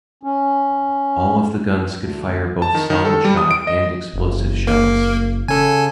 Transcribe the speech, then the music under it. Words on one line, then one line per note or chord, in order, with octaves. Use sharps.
All of the guns could fire both solid shot and explosive shells.
C#4
D2
A5
D#3
D#3
A4
G3
D#6
D7
D#5
F#1
A#3
C#3 A4 G#5